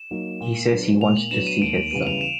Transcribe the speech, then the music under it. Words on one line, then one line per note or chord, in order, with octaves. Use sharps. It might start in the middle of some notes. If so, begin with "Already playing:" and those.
He says he wants to see his son.
Already playing: E7
F#3 A#3 D#4
A#2
F#3 B3 D4
A#2 F7
F#7
F#3 B3 D4 E7
D#7
D#2 D7
D7
C#3 E3 G3 B3 D#7
F7
E7